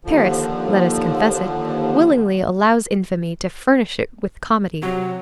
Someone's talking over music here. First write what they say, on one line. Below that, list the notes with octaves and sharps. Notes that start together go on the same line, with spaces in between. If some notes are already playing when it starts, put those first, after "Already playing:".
Paris,--let us confess it--willingly allows infamy to furnish it with comedy.
D#2 D3 F3
C3 F#3 F#4